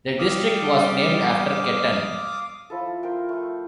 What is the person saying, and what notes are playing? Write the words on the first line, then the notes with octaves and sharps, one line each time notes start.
The district was named after Ketton.
G3 F5 D6 D#6
F3 E4 A4
F4 A#4 G5
A3